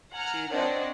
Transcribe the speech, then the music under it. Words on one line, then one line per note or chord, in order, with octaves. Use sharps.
Chewed up.
F#5 G#5 A#5 F6
C4 D4 C#5 D#5 F#5